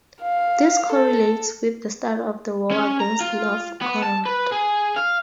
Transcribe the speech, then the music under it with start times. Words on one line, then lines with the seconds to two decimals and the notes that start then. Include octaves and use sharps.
This correlates with the start of the war against Novgorod.
0.22 F5
0.92 A4
2.71 C#4
3.00 A#5
3.21 F4
3.81 B3
4.03 A5
4.26 B4
4.52 G#4
4.96 F5